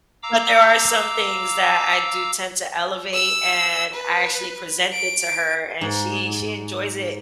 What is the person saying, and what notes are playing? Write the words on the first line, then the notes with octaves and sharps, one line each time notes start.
But, there are some things that I do tend to elevate and I actually present it to her and she she enjoys it
F5 A#5 D6 E6
E6
B4
D7
G#2